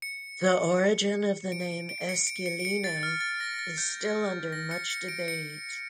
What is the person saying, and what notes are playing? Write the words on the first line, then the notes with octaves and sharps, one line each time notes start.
The origin of the name "Esquilino" is still under much debate.
C#7
D7
D7
D7
C#7
D7
C#7
D7
C#7
A6
F6
A6
A#6
A#6
A6
G6
A#6
C#7
C#7
D7
C#7